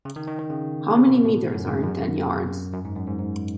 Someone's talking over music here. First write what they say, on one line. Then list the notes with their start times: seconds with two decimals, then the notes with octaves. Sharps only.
How many meters are in ten yards?
0.05 C#3
0.16 D#3
0.28 D#3
0.39 D#3
0.50 C#3
0.95 C#3
1.10 B2
1.25 A2
1.54 F#2
1.69 G#2
1.84 F#2
2.73 F#2
2.85 G#2
2.96 F#2
3.07 G#2
3.19 G#2